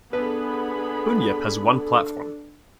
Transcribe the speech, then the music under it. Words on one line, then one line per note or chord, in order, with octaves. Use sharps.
Bunyip has one platform.
B3 D4 G#4 A4 B4 B5